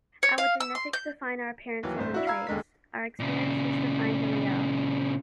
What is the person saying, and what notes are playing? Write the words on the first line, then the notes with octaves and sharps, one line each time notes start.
Our genetics define our appearances and traits. Our experiences define who we are.
C#5
F5
E6
C6
G6
D#2 E3 F#3
G1 C2 A2 C5
D4 E4 F#4
F5 A#5 B5 E6 G#6
E1 D#2 D3 G#3 A#4 B6
A#2 C#3